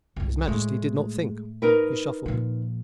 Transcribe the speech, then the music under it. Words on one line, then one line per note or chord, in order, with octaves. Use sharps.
His Majesty did not think; he shuffled.
C2 G2
A2 G#3 A3
D#4 A#4 B4
A#2 F3